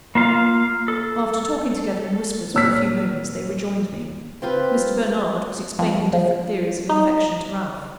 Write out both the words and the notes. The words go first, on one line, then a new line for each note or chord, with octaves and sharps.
After talking together in whispers for a few moments, they rejoined me. Mr. Bernard was explaining the different theories of infection to Ralph.
A#3 F4 F5
A4
A#2 C#5 E6 F6 B6
C4 F4 G4 B4
F2
F3
D#4